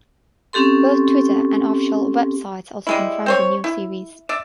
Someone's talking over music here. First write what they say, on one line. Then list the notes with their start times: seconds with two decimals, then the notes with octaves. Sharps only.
Both Twitter and official websites also confirm the new series.
0.53 C4 C#4 G4 A4 C6
2.87 G3 G#3 E4
3.26 C4 C5 C#5
3.64 E4
4.29 D5 E5